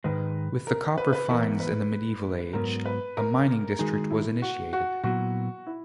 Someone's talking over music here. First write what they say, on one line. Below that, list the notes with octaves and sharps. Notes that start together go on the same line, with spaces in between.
With the copper finds in the medieval age, a mining district was initiated.
G#2 D#3 G#3 B4
A#4
B4
B4
E3 B3 E4 A#4
B4
G#2 F#3 B3 A#4
B4
A#4
D#3 G#3 D#4 F#4 G#4
E4
F#4
F#4
A#2 F#3 B3 E4 F#4
E4